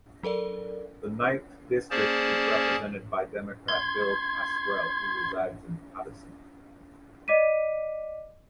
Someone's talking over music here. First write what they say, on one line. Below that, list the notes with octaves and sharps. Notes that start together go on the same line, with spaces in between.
The Ninth District is represented by Democrat Bill Pascrell, who resides in Paterson.
F#3 A4 A#4 D5
A#3 C#4 G#4 C5 D5 A5
C6 G#6
D5 D#5 D6 B6 D#7